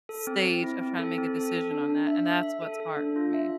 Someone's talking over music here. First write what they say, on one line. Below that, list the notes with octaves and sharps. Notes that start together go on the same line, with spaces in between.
stage of trying to make a decision on that, and that's what's hard for me.
A4
C4
C4
E4
C4
A4
C4
A4
A4
D4
D4
E5
E5
E5
A4
A4
D4
F4
E5